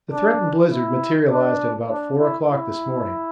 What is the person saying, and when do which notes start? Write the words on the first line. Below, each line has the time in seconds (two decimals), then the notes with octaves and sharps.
The threatened blizzard materialised at about four o'clock this morning.
0.11 D4
0.71 E4
1.30 D4
1.89 D4
2.19 E4
2.48 E4